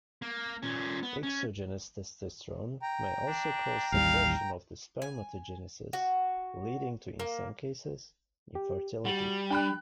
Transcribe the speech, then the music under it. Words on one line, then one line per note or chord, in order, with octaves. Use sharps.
Exogenous testosterone may also cause suppression of spermatogenesis, leading to, in some cases, infertility.
A#3
A#2 C#4
B3
C#4
G5 A#5
D4
A1 D#2 G3 F5
G#5
F#4
A#3
G4
G3 F#4
D4 G5 B5 F#6